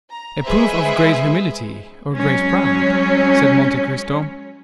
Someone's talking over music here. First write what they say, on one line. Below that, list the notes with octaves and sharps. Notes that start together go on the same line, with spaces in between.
"A proof of great humility or great pride," said Monte Cristo.
A#5
G#3 G#4 B4 C5 E5
F#3 G#3 C#4